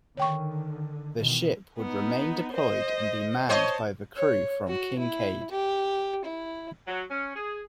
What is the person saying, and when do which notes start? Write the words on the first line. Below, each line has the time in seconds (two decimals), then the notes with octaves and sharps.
The ship would remain deployed and be manned by the crew from "Kinkaid".
0.17 D3 D#3 C#5 G5 C#6
1.17 B2 D#3 E3
1.78 B3 D#4
2.52 C5 D#5
3.49 C5 C#5 D#5 A5
4.16 C#5
4.68 F#4
4.99 E4
5.51 G4
6.25 E4
6.87 F#3
7.10 C#4
7.35 G#4